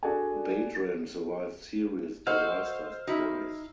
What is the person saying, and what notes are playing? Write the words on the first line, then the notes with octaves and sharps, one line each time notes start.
Badran survived serious disasters twice.
D4 F#4 G#4 A4 D5 G#5
F#4 A4 C5 D#5 F5 E6
D#4 E4 F#4